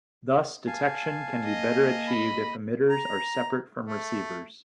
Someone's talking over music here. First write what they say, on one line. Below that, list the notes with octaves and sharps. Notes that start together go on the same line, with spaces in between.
Thus, detection can be better achieved if emitters are separate from receivers.
F5 G#5 A5
A#3 D#5
B5
A#5
A3